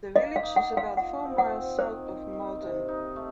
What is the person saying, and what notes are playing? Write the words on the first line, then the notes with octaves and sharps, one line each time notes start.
The village is about four miles south of Malton.
A#3 D#5
F5
D#4
F#5
A#3
F5
F4 F#5
C4
F#5
C4
D#3 C5
D#3
D#3
C3
D#4
A3